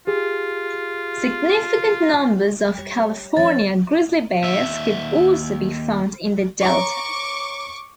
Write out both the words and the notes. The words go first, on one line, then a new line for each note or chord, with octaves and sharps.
Significant numbers of California grizzly bears could also be found in the Delta.
F4 G4 G#4
G3 G4 C#5
F3 C#4 C#5 A6
D#2 E5
C#5 A#5 C#6 D6